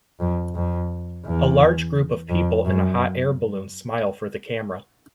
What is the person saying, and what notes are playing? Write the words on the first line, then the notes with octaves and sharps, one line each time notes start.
A large group of people in a hot air balloon smile for the camera.
F2
F2
E2
F2
F#2